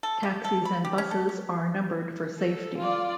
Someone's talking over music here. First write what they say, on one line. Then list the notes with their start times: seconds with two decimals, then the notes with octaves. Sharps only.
Taxis and buses are numbered for safety.
0.03 A4
0.23 C#3
0.45 A4
0.65 B5
0.85 G4
0.98 C#4
1.11 A4
1.29 C#4
2.38 A4
2.78 F4 D5